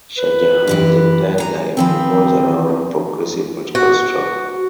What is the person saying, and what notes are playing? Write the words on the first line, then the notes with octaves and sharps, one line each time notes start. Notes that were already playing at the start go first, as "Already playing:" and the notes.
Shahjahan’s entire life revolves around progressive political struggle.
B4
F#2 E3 G4
G#5 A#5
D#3 F3 C4 B4
F#4